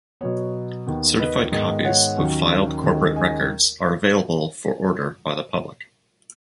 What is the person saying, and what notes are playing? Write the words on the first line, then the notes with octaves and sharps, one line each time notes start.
Certified copies of filed corporate records are available for order by the public.
B2 F#3 B3 C#5
D#2 D#3 B3
B4 D#5
G#2 D#3 G#3 B3
C#5 F#5
D#2 D#3 F#3 C#4
D#2 D#3 G#3 C#4
D#5 G#5